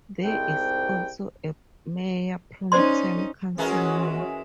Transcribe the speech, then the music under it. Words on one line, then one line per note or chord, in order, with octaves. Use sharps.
There is also a mayor pro tem councilmember.
C2 G#2 C3 G5
C#4 D#4 C5 D5 C6
E3 G#3 C#4 F#4 A#4